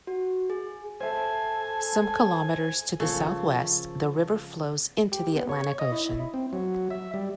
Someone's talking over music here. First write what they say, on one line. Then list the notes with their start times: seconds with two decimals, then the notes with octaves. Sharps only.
Some kilometers to the southwest the river flows into the Atlantic Ocean.
0.07 F#4
0.50 G#4
1.00 A4 C5 E5 G#5
3.00 C#3 F3 A4 A#4 C5 C#6
5.12 G4
5.36 B3
5.49 C#5
5.79 D#5
5.92 E4
6.34 C4
6.53 F#3
6.91 E5
7.14 G3